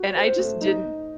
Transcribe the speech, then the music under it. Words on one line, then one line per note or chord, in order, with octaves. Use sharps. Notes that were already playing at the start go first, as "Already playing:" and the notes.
And I just didn't
Already playing: F#4
C5
A3
D#4